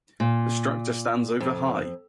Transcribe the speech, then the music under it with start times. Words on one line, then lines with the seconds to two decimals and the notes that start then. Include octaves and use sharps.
The structure stands over high.
0.20 A#2
1.40 F2